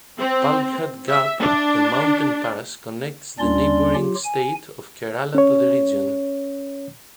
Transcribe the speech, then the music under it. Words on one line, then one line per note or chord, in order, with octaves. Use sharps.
Palghat Gap, a mountain pass connects the neighbouring state of Kerala to the region.
C4
E5
D4
D#2 G3 C#4 D4 D5 C6
F#3 F4 G4
G#5
C#4 C#5